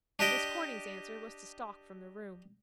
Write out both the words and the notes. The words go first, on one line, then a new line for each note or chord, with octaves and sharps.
Miss Corny's answer was to stalk from the room.
D4 G4 D#5 G5